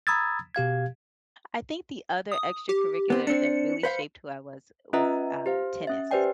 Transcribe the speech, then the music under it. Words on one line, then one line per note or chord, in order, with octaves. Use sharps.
I think the other extracurricular that really shaped who I was, was, um, tennis.
A#5 B5 D#6 E6 G#6 A6
B2 G4 F5 G#6
D#6
G4
B3 C4
C4 D4 C#7
B4 C5 F5
C#4 F4 B4 D#5 E5 A#5
G4 C5 F5
C#4 E5
G4 B4 C5 D5 G5 G#5